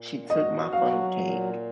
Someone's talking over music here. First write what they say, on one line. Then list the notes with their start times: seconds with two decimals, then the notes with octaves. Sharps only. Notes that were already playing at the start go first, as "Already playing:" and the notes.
She took my funnel cake,
Already playing: A#2
0.30 F#4 D#5
0.73 F#3 F5
1.15 A#2